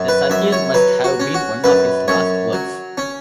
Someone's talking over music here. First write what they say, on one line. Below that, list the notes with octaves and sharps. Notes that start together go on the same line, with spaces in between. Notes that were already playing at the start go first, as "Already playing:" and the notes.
The "Satyr" must have been one of his last works.
Already playing: F#2
B4
F#2 E5
C#5
F#3 B4
F#4
C#4
F#4
F#2 B4
F#2 C#5
F#3
C#4